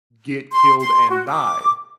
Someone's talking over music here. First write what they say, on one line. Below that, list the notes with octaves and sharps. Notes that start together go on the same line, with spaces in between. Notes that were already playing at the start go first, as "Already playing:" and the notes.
get killed and die,
C6
C6
F#4
D6